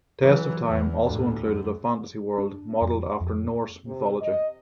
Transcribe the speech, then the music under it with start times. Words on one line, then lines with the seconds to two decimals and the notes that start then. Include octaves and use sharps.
Test of Time also included a fantasy world modelled after Norse mythology.
0.22 E3 F#3
0.67 E2
1.05 D2 A2
1.44 F#2
2.38 D4
2.82 F2
3.21 F2
3.87 C3
4.21 D#5